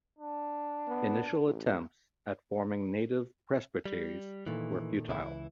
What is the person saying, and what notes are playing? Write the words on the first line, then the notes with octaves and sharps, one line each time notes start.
Initial attempts at forming native Presbyteries were futile.
D4
B3
A1
G3
A#2 D#3 E3 A3
C#2 E3 E4